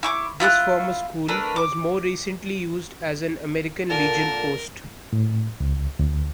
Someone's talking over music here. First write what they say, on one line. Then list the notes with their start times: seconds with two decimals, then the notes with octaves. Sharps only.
This former school was more recently used as an American Legion post.
0.03 E4 C#6 D6
0.40 E4 F4 B5 F#6
1.28 A3 D4 A#4 B4
1.56 D6
3.90 A#2 D3 A#4 A5
5.13 A2
5.60 C#2
5.99 D2